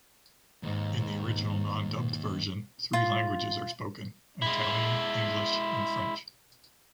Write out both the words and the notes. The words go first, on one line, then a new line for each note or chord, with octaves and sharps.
In the original non-dubbed version, three languages are spoken: Italian, English and French.
D#2 G#2
F4
G#3 E4